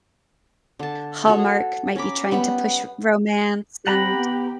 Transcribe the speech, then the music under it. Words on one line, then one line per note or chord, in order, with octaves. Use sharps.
Hallmark might be trying to push romance and
D3 A5
F#4 A4 C#5
C#4 A#5 B5 D6
G3 B3 F#5 B5
C4 G4 F#5 A#5 B5
B3